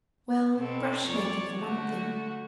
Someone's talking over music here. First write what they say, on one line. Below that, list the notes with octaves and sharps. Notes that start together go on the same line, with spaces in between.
'Well, brush-making for one thing.'
B2 C4 A4
F2 C#5 D5
D3 A3 F#4